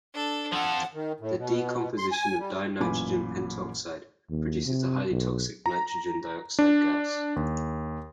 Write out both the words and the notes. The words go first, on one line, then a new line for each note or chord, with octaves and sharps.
The decomposition of dinitrogen pentoxide produces the highly toxic nitrogen dioxide gas.
D4 A4
F3 A4 F#5
D#3
A2
B2
C6
G#5
G3
A1 F#2 A#2 G#5 B5 D6
D#2
C3
B1
A#5
D4
D#2